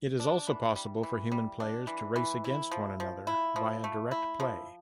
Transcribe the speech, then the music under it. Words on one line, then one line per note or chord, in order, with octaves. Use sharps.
It is also possible for human players to race against one another via DirectPlay.
D4
E3
G3
E3
G3
D4
E3
E3
E4
F3
F3
E4
F3
A3
E4
F3